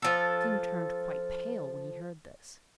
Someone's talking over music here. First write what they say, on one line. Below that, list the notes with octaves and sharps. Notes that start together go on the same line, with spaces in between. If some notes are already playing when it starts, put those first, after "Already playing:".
The king turned quite pale when he heard this.
F3 A4